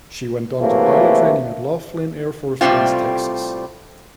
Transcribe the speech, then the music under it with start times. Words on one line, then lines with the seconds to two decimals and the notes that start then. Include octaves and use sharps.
She went on to pilot training at Laughlin Air Force Base, Texas.
0.61 C3 E3 F#3 A3 A#3
2.61 A2 C3 D#3 G3 C4 F4